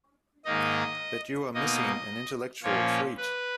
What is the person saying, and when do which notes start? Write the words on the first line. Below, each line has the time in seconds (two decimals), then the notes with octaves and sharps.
But you are missing an intellectual treat.
0.45 G#2 D#3 A#3 D#4 D#5
1.54 B2 A#3 D#4 D#5
2.63 A#2 F3 A#3 C#4 C#5
3.18 B4